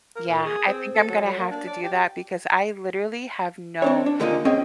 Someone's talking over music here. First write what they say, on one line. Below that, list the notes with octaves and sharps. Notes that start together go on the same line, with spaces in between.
Yeah, I think I'm gonna have to do that because I, literally, have no
A#4
A#2
G#4
C4
A4
F#3
F#3
A#3
D4
D5
G4
C4 D4 C#5
D4
D#2 D3 A#3 D#4 F4 G#5
C4 C#4 G#4 D#5 G5